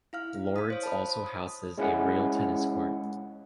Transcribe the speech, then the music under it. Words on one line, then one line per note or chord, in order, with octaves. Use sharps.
Lord's also houses a real tennis court.
E4 F5 F6
D#6 B6
C5 C#5
A5 B5
D#6
G#3 C#4 E4 F5 F#5